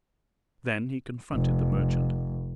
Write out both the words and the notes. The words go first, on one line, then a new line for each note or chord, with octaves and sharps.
Then he confronted the merchant.
F1